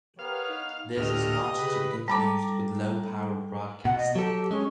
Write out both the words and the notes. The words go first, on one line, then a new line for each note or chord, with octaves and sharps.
This is not to be confused with low-power broadcasting.
B3 G4 A#4 B4 C#5 F5
D#4
D2 A2 G4 D#5 F6
C#3 B4
G3 A4 A5 A#5 D6
B2 F#5
D#5
F#3 G4 A4
G#3 C#4